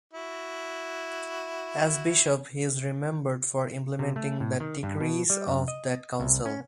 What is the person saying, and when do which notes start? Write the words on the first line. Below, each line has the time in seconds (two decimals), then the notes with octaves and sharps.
As bishop, he is remembered for implementing the decrees of that council.
0.13 E4 F#4
3.99 C3
4.16 A3
4.40 A2
4.60 D#3
4.83 G2
5.01 B2
5.30 G3
5.47 F#2
5.68 D#5
6.20 C2
6.46 C#4